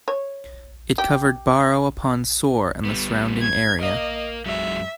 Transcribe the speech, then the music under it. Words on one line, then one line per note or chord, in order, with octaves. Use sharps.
It covered Barrow upon Soar and the surrounding area.
C#5
G4
G3 B3
G#6
A#4 D#5 F5
F#2 F#3 G#3 E5